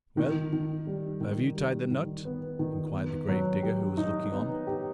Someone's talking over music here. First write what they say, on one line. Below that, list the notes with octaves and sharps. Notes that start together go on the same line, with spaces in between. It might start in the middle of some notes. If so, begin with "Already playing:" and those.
"Well, have you tied the knot?" inquired the grave-digger, who was looking on.
D#3
D#3
G3
D#3
G3
D#3
B3
D#3
B3
F#3
G4
D#4
B3
G4